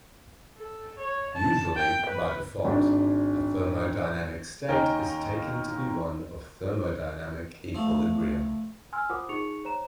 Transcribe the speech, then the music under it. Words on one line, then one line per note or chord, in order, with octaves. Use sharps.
Usually, by default, a thermodynamic state is taken to be one of thermodynamic equilibrium.
A4
C#5
A5
G5
B4
G#1 D4
D#2 D#3 C#4 A#4 D#5 G5
F3 A3
G#5 C6 E6 F6
F4 A#4 C5 F#5 D6 D#6
D#4 G#4 C#6 C#7 F7
C5 C#5 A#5 E7